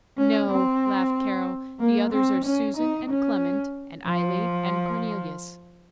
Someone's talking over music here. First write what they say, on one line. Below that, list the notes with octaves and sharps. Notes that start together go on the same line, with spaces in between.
"No," laughed Carol, "the others are Susan, and Clement, and Eily, and Cornelius."
C#4
C4
A#3
C4
C#4
D#4
C#4
F3